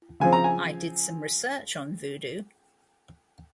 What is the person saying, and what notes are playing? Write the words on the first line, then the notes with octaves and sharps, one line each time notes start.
I did some research on voodoo.
C#3 F3 C4 G#5
A#5
G#5